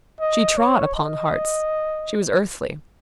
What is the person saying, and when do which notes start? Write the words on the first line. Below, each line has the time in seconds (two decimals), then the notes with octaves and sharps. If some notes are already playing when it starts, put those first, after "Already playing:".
She trod upon hearts. She was earthly.
0.20 D#5
0.57 C#5
0.95 D#5